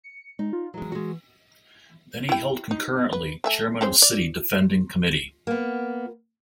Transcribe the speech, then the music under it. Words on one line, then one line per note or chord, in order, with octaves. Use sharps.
Then he held concurrently Chairman of City defending committee.
C#7
G#3 D#4
F4
E3 F#3 G#3
G#3 F#4
E4 G5
D#4
B4
A3 E5 G#5
C#3 C4 C5
D5
A#3 B3